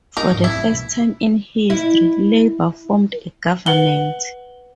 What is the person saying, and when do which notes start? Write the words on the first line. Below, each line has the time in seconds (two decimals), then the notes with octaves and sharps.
For the first time in history, Labour formed a government.
0.17 C4 D#4 A#4
0.30 G#2 F3
0.44 C4 E4
0.57 E3
0.70 B2 B3
1.70 E4
3.66 B4 F#5 F#7 G7